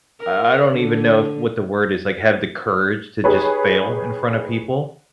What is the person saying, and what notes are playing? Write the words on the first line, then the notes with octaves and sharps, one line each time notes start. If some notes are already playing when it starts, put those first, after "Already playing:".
I I don't even know if what the word is like, have the courage to just fail in front of people,
A#4
D3
D#4 G4 G#4 B4 C#5